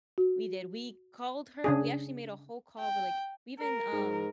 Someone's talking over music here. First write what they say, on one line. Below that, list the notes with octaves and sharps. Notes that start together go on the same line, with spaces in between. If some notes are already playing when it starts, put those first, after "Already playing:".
We did, we called her, we actually made a whole call where, like we even, um
F#4
C#3 D4 G#4
G5
A#4
G#2